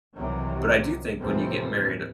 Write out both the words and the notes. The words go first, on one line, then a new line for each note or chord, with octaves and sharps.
but I do think when you get married,
C2 C3 D#3 E3 F#3
D#2 A2 C3 E3 F3 C4